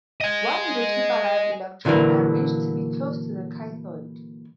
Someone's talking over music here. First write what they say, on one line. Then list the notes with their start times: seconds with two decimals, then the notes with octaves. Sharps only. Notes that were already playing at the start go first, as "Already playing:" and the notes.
One is a keep-alive electrode, arranged to be close to the cathode.
0.21 D#5 G#5
1.85 A#2 D3 E3 F#3 A#3